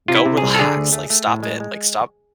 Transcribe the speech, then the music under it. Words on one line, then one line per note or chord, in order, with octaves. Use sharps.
go relax. Like, stop it. Like, stop
C3 F4
E4
C3
C2 G#4
A4
D3 G#4
D2
A3
A3
A2
G#3
G#3